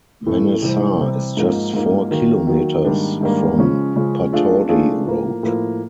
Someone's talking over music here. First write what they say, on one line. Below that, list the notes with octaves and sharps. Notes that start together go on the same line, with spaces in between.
Manesar is just four kilometers from Pataudi Road.
A2 E3 A3
C3 E3 G3 C4
C3 E3 G3 C4
G#2 F3 A#3 D#4
G#2 F3 A#3 D#4
D#3 F#3 A#3
D#3 F#3 A#3
G#2 D#3 G3 A#3 D4
G#2 D#3 G3 A#3 D4
C#3 F3 G#3 C#4
C#3 F3 G#3 C#4
F3 A3 D4 F4 G#4
F3 A3 D4 F4 G#4
A2 F3 A#3
A2 F3 A#3